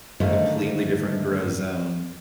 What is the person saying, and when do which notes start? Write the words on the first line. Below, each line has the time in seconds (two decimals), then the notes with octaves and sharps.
A completely different grow zone,
0.20 G#2 D3 D#3 A3 C5 F5